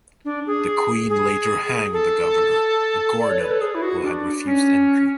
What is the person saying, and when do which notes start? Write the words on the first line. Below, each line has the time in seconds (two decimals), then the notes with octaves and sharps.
The Queen later hanged the governor, a Gordon who had refused entry.
0.25 D4
0.47 G#4
1.09 G#4
1.93 A4
3.19 D5
3.29 C#5
3.40 B4
3.51 A4
3.61 G#4
3.75 E4
3.82 F#4
4.03 D4
4.45 C#4